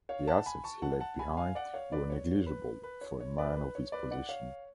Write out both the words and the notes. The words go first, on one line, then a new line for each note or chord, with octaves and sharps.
The assets he left behind were negligible for a man of his position.
C#5 F5
F#5 A5
G#5 B5
A5 C#6
F#5 A5
F#5 A5
G#5 B5
F5 G#5
D5 F#5
C#5 F5
B4 D5
C#5
B4
B4
C#5
C#5
B4 D5
B4
C#5
B4 D5
D5 F#5
C#5 F5